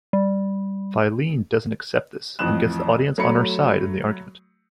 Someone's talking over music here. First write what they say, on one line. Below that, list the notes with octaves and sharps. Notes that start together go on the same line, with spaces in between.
Phileine doesn't accept this and gets the audience on her side in the argument.
G3
A1 F2 D#6 F#6 E7
F#3 A3 A#5 B5 C#7